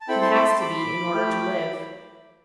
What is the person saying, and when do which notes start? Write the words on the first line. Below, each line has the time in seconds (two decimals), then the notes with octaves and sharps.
He has to be, in order to live.
0.01 A5
0.08 C4 E4 A4 G5 B5
0.21 A5 C6
0.35 B5 D6
0.48 A5 C6
0.61 B5 D6
1.14 A3 E4 G4